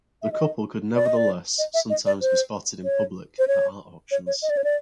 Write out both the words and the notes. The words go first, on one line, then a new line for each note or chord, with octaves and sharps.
The couple could nevertheless sometimes be spotted in public at art auctions.
E5
D#5
D5
D#5
D5
D#5
E5
D#5
D5
C5
C#5
C5
C#5
C#5
C#5
D#5
D5
C#5
D5